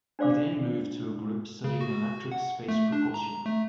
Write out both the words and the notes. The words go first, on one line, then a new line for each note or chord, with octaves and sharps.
He then moved to a group studying electric space propulsion.
D4 C5 D5 F5 D6
C#3
F#4
F#5
A3
D4
A#5
A3